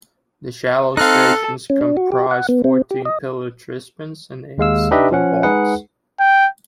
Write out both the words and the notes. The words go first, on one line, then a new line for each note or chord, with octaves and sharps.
The shallow stations comprise fourteen pillar-trispans and eight single vaults.
C4 D#4 A4 F5 F6 F#6
C#4
D4
F#4
G4
F#5
B3
C4
G4
D#5
D#2 G#3 F5 E6
D4 D#4 G4 B4 D#5 E5
F3 C#4 F#5
G#3 D#4 G#4 B4 F#5
G5